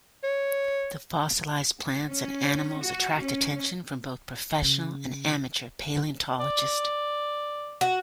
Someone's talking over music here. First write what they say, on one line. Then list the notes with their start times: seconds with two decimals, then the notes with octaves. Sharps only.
The fossilized plants and animals attract attention from both professional and amateur paleontologists.
0.23 C#5
2.08 C#4
2.82 F#4
3.24 C#4
4.62 C#3
6.39 D5
7.81 F#4